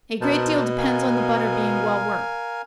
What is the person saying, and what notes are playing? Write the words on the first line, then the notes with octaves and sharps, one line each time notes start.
A great deal depends on the butter being well worked.
B2 A#4 C5 A5
A#4 F5 G#5